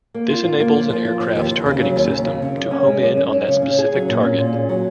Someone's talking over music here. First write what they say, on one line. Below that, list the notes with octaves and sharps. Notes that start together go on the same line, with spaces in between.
This enables an aircraft's targeting system to home in on that specific target.
A#3
F4
F4
A#3
F3
F3
F4
F3
D#2
D#2
C#3
F#3
D#2
D#2
C#3
C#3
F#2
C#4
G#3
F#2
C#4
F#2
C#3
C#4
G#4
F#3
A#2
C#4
A#2
G#4
F#3